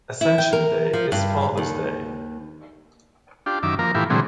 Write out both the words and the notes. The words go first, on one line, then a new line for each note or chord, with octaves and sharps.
Ascension Day is Father’s Day.
E4
G5
A#4
F3
G2
D#2
D4 F4 G4
F#2 D#3 E5 D6
F3 A#3 A#4
A2 E3 E4 F4 G4
A#2 D3 E3 F#3 G#3 C4